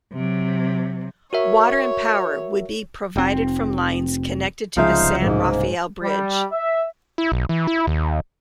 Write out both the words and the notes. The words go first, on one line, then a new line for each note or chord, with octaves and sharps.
Water and power would be provided from lines connected to the San Rafael Bridge.
C3 F#3
F#4 A#4 C#5 E5
F1 C4
C2 C#3 F3 G#3 D#4 C5 E5 F5
G#2 A#3
G3
E5
E4
B1
E3
E4
D#2